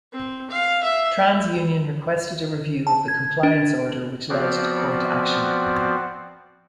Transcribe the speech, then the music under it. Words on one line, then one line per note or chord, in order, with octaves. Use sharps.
Trans Union requested a review of the compliance order which led to court action.
C4
F5
E5
A5
G#6
D4
F3 B3 C4 F#4 D5